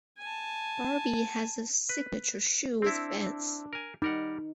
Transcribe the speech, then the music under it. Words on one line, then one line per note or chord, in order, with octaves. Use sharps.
Barbee has a signature shoe with Vans.
G#5 A5
B4
C4 D4 E4
A#4 G#5
G3 D#4 A#4 F#5